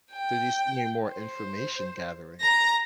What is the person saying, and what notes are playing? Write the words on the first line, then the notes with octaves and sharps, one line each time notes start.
Did you send me more information gathering.
G5
C5
A#5 A#6